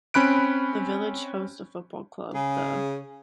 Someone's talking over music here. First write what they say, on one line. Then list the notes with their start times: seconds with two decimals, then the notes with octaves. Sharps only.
The village hosts a football club, the.
0.14 C4 C#4 B5 F#6 D7
2.34 C#3 G#4